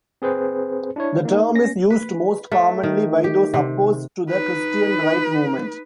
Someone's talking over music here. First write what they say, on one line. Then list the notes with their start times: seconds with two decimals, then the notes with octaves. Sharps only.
The term is used most commonly by those opposed to the Christian Right movement.
0.22 C4 G#4 B4 C5
0.96 D4 E4 C#5
1.25 A#3 D#4
1.55 C#4 A#6
1.90 B4
2.52 A3
2.83 D#3
3.24 G4
3.54 C3
4.30 D#4 B4